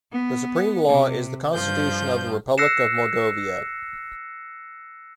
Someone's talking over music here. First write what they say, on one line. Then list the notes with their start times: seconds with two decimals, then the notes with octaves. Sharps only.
The supreme law is the Constitution of the Republic of Mordovia.
0.11 B3
0.86 C3
1.52 G2 F3 G6
2.58 E6 F#6 A#6 C7 C#7 E7